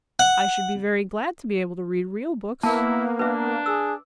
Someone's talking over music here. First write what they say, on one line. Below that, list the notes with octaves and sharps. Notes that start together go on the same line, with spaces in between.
'I should be very glad to be able to read real books.
F#5
A#3 B3 E4 A5 E6
D4 B4 E5
G#4 E6